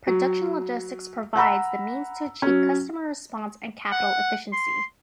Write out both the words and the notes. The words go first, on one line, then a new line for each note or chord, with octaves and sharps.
Production logistics provides the means to achieve customer response and capital efficiency.
F#3
F#5 A#5 B5 E6
F#3 C#4
F#5
C6